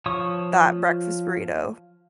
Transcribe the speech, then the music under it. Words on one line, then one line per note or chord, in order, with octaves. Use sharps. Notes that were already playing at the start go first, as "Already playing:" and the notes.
that breakfast burrito?
F3 C#5 C#6 D#6